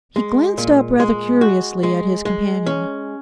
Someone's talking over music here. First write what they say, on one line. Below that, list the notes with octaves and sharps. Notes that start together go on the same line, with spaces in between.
He glanced up rather curiously at his companion.
G#3
A#2
G#3
F#4
G#3
G#3
C#4